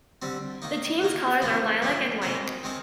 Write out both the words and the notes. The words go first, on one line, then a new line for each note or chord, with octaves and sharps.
The team's colours are lilac and white.
D3 G3 C4
D#3 A#3 D#4
D#3 A#3 D#4
G#2 F3 A#3 D4
G#2 F3 A#3 D4
G#2 D#3 G#3 C4 D#4
D#3 G#3 C4 D#4